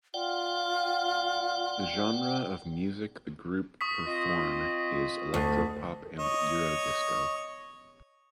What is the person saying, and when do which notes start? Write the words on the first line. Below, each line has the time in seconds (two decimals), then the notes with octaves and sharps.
The genre of music the group perform is electropop and eurodisco.
0.14 F4 D5 F#5 G5
3.81 C#6 D#6 B6
4.07 C4 F4 D#5
5.34 D2
6.19 C#5 D#5